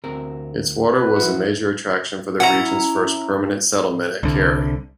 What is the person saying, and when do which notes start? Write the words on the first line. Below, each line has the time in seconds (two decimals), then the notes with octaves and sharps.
Its water was a major attraction for the region's first permanent settlement at Carey.
0.04 D2 C4 A#4
0.89 B4
1.16 F3 E4 F#4
2.40 C#4 E4 F#5 A#5
4.23 C2 D3